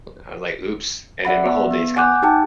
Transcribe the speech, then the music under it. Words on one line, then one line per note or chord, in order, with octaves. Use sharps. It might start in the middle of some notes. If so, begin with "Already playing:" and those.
like I was like, "Oops." And then my whole day's gone.
D5 E5 F#5 B5
B3 E5
B3
F#5 G#5 D6 F#6 G6
D#4 G4 G5 A5